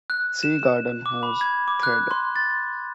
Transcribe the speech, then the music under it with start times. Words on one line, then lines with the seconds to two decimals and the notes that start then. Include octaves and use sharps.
See Garden hose thread.
0.10 F#6
0.43 E7
1.06 D6
1.23 B5
1.41 G#6
1.68 D6
1.83 F#6
2.11 C6
2.36 A6